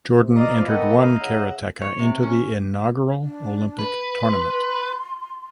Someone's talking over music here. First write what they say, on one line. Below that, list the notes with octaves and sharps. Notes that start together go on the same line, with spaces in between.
Jordan entered one karateka into the inaugural Olympic tournament.
C3
A#3 D#4 D5 D#5 F5 A#5 D#6
E3 F3 B3
D#3 C4 D#4 A4 D#5 F#5
D#4 E4 D#5 F5
C#3 E5 F#5
C#5
C3
C#4
D4
B4
C6